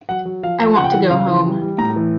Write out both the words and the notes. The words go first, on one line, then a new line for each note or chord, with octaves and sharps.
I want to go home.
F#3 F#5
F#3
F3 F5
F3
C#3 F#5
G5
E3 F#5
C#3 F5
E3
G3
G3
A2 A#5
E3